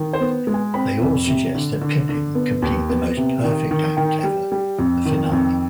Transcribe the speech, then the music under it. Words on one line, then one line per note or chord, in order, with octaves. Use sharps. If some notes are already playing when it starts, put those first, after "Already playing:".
They all suggest that Pippin complete the most perfect act ever: the Finale.
Already playing: D#3
C5
B3
G#3
G#5
C4 B5
F2
C3
D3
D3
D3
B3
D#2
B3
C3
D#3
D#3
D#3 G5
G3
G3
F2
D#3
F2